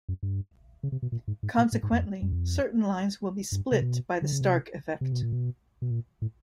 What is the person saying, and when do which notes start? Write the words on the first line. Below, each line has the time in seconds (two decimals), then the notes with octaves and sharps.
Consequently, certain lines will be split by the Stark effect.
0.09 F#2
0.23 G2
0.83 C#3
0.92 C3
1.02 B2
1.12 A#2
1.28 G#2
1.43 G#2
1.58 A#2
1.72 A2
1.83 G#2
1.92 F2
2.22 F#2
2.32 F2
3.52 G2
3.72 C3
3.82 B2
4.22 D3
4.32 C#3
4.41 C3
5.01 C3
5.12 B2
5.23 A#2
5.32 B2
5.82 B2
5.91 A#2
6.22 A2